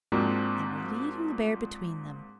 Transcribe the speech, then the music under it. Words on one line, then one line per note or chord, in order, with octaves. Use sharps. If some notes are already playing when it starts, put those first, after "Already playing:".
They were leading the bear between them.
G#2 F3 A#3 C4 D4 F#4